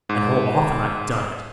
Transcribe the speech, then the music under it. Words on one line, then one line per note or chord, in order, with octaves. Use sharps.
And how often I've done it!
G#2